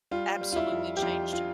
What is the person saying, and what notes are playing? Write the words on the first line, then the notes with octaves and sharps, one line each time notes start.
absolutely changed
G3 F4
G3
F4
E4
F2
G4
F2 F4
F4